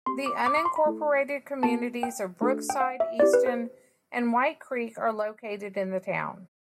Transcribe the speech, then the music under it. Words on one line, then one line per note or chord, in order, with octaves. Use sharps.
The unincorporated communities of Brookside, Easton, and White Creek are located in the town.
C4 G4 C6
D6
D6
D6
C6
B5
A3 E4 A4
B3 F#4 A4 A5
G5
A3 D4 F#4 A4
G5
F#5
E5
C4 E4 G4 D5
B4
C5